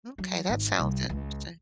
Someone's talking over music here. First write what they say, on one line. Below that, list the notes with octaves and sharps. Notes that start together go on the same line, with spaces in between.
Okay, that sounds interesting.
F#3
G#1
C2
C#2